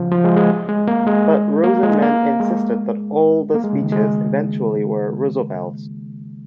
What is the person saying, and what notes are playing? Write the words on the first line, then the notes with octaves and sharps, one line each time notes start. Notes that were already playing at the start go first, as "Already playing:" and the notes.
But Rosenman insisted that all the speeches eventually were Roosevelt's.
Already playing: C#3 F3
F3
G#3
G#3
G#3
A#3
G#3
A#3
G#3
A#3
G#3
A#3
G#3
C#3
D#3
G#3